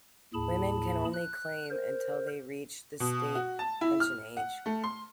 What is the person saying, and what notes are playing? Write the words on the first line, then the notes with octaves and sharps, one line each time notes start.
Women can only claim until they reach the State Pension age.
D#2 A2 G#4 A5 B5
F#6
A#4 C5
B2
F#4
A5
E4
F6
F#5
A3
C6